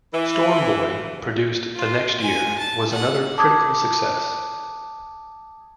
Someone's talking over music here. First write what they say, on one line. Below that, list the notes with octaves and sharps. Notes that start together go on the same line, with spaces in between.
"Storm Boy", produced the next year, was another critical success.
E3
F4
G#5
A5
F#5
A5 D6 D#6 G#6